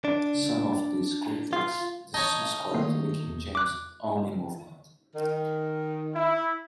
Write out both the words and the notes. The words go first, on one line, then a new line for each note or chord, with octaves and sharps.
Some of these critics subscribe to the King James Only movement.
D4
F4
D#4 C#5 A5
D#3 A3 A#3
E2
D6 F#6
D#3
E4